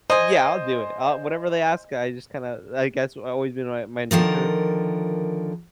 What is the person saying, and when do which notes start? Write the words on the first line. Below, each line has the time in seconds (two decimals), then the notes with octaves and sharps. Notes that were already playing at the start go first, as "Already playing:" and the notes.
Yeah, I'll do it. I'll whatever they ask, I just kinda I guess, that's always been my my nature,
0.10 C5 D#5 G#5
4.11 D3 D#3 F3 A#4